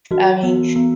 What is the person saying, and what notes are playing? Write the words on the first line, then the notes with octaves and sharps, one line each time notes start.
I mean,
E3 F#4
B3
B3